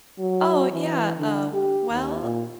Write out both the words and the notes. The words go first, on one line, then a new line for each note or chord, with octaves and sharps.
Oh, yeah, um, well,
F#3
E3
D3
G4
D#2
A#2